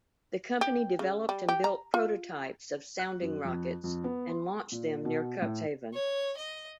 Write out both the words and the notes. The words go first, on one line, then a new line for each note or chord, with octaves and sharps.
The company developed and built prototypes of sounding rockets and launched them near Cuxhaven.
G4
C#3
G3
G4
A#5
F4
F#6
F#2
F2
F2
B3
C6
A#2
B2
A2
C#5
D#5